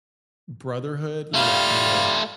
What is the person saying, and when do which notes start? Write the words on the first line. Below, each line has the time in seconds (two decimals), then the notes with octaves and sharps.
brotherhood, you know, that kind of
1.34 G3 A3 F4 F5